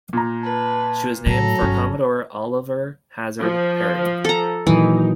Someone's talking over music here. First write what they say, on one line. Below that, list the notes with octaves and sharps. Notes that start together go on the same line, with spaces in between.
She was named for Commodore Oliver Hazard Perry.
A#2 A#5
B4 A5
A2 F#3 A4 A#5
G1 C#4
F3
A4 A#5
A#2 D#3 E3 F#3 D#4